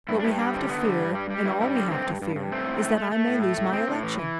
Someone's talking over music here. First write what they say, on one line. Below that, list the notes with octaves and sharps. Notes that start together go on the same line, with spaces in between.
What we have to fear and all we have to fear is that I may lose my election.
G2 E4
D4
G2 E4
G3 D4
D3 C4
D3 B3
G3
G2
G3
G3
G2 E4
G3 E4
D3 C4
G2 C4
G2
G2
G2
A3 C4
A2
A3
A3
A3
A2
A3
A2
A2 C4
A2
E3
E3